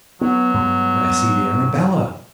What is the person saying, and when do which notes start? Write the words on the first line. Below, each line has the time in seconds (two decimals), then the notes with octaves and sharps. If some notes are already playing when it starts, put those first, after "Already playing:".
"But I see the Arabella."
0.21 F#3 B3
0.54 G2 G#3 B3